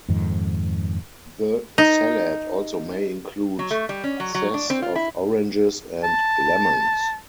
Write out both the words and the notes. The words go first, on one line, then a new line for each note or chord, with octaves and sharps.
The salad also may include zest of oranges and lemons.
F2 G#2 D#3
D#4
F#3
A3
G3
C#4
F#3
F#3
D4
C4
F4
E4
A5